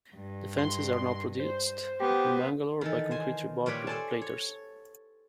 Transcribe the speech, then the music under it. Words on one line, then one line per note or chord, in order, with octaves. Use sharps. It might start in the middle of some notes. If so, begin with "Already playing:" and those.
The fences are now produced in Bangalore by concrete rebar plaiters.
G2
C6
C5
B3 G4
D#3 E3 A4
C5 G#5
A#2 G3 B4 C#5 G5 B5
A4 C5 D5 G#5 A5
C#5